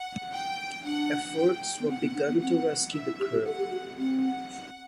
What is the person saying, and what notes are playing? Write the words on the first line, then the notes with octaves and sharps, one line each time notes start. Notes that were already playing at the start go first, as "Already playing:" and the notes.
Efforts were begun to rescue the crew.
Already playing: F#5
G5
D4 F#5
G5
B3
C4 F#5
B3
D4
B3
C4 F#5
D4 E5
E4
G4
G4
A4 F#5
G4
F#4
C4 F#5